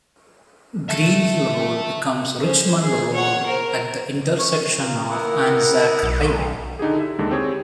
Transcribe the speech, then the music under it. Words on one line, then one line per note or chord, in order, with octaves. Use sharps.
Greenhill Road becomes Richmond Road at the intersection of Anzac Highway.
E5 A5
C#4 C5
G#4
C#5 F#5
A#4 C5
C#4 C#5
F4 A#4
B3 E4 A#4 F#5
B1
D3 D#4 G4 G#4
E4 E5
D#2 D3 G#3
C4 G4 G#4 C#5